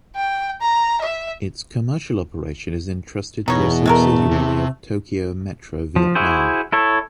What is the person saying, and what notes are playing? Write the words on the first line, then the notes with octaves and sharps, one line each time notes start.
Its commercial operation is entrusted to a subsidiary of Tokyo Metro Vietnam.
G5
A#5
E5
E2 B2 D#4 C#5
G#3 A3 A#4
C3
F3
E4 F#4 G#4 C5
E4 A4 C#5